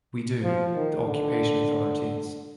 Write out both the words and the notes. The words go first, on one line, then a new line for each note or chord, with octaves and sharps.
We do, the occupation authorities.
F3
D#3
D3